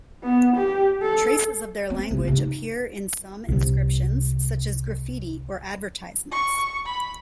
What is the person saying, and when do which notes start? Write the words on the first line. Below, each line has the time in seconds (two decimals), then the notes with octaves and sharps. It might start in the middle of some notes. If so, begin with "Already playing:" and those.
Traces of their language appear in some inscriptions, such as graffiti or advertisements.
0.23 B3
0.57 G4
1.03 A4
1.90 C4
2.11 C2
2.25 C3 F4
2.37 D#4
3.49 C2 C3
6.32 C#6
6.86 B5